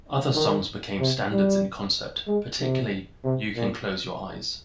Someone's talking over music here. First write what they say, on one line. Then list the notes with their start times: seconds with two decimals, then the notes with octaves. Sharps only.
Other songs became standards in concert, particularly "You Can Close Your Eyes".
0.35 D#3
0.99 C3
1.31 G3
2.27 G#3
2.60 C3
3.24 C3
3.56 A#2